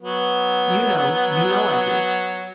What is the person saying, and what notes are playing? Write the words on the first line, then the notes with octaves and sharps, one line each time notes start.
You know, you know I do!
F#3 B3